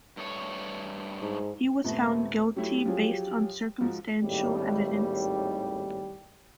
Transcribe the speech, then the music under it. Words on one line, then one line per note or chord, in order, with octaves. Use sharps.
He was found guilty based on circumstantial evidence.
G2 A3 C#5
G#2
D#1 C3 A3 B3
F#3 A3 E4 G4
F3 F#3 G#4
G#2 F3 F#4
G#1 D#2 A2 G3 G4